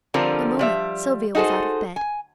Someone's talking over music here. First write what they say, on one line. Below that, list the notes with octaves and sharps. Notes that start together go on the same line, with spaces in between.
In a moment Sylvia was out of bed.
D3 F3 G3 C4 F4 A#4
F3 G3 E5
D#4 F#4 G#4 A4 C5
G#5